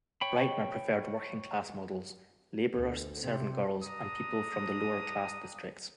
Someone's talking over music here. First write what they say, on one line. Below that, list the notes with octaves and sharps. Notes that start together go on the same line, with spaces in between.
Breitner preferred working-class models: labourers, servant girls and people from the lower class districts.
C#5 G5 B5
D2
C3
D4 A#5 D#6